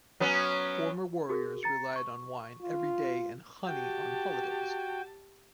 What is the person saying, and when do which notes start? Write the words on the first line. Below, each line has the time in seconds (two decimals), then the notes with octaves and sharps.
Former warriors relied on wine every day and honey on holidays.
0.20 F#3 B3 C#4
1.29 F#4 G#4 A#4
1.63 A#5 A6 C#7
1.96 C#6
2.62 F4
3.67 F#4 G4 G5 A5